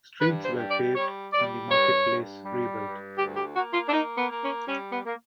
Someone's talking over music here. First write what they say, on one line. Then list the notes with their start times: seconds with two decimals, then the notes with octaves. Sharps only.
Streets were paved and the marketplace rebuilt.
0.19 G2 B4
0.44 C5
0.56 G3
0.68 D5
0.94 G3 C#5
1.31 G3 D5
1.68 G2 C#5
2.05 G2
2.43 G3
2.80 G2
3.18 D2 G4
3.36 G4
3.54 A#3 F#4
3.73 F4
3.87 D4
3.92 A#3 D#4
4.17 B3
4.29 A#3
4.41 C#4
4.66 G3 C#4
4.91 B3
5.04 A#3